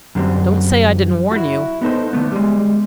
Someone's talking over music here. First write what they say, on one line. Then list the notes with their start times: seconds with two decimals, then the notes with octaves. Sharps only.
Don't say I didn't warn you.
0.15 F#2 D3 G3 C4
1.31 E4 F#4
1.82 B3 D#4 A4 C5
2.13 D3 A3 B3
2.32 G3 G#3